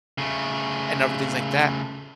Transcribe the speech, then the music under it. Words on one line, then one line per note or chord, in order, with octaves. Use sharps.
and other things like that?
C#3 A3